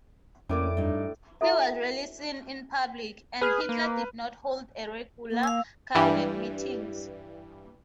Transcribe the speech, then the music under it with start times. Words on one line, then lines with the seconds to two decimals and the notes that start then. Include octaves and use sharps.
He was rarely seen in public, and Hitler did not hold regular cabinet meetings.
0.49 F2 A2 C#3 A#3 C#4 D5 D6
0.77 G2 D#4
1.41 E4 F#4 A4 E5
3.41 G#4 B4 F6
3.69 A#3
5.30 A#3
5.43 F5 E6
5.95 G2 E3 G3